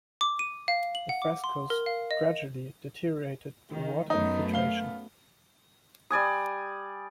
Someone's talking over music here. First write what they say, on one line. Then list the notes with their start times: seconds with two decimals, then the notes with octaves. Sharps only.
The frescoes gradually deteriorated through water infiltration.
0.21 D6
0.39 D#7
0.68 F5
0.95 F#7
1.09 F#5
1.22 D6
1.44 C6
1.70 A#4
1.86 F5
2.11 D#5
3.71 D#3
4.10 F#2 A3 B3 D#4
4.53 F5 G7
6.10 G3 D5 G#5 D#6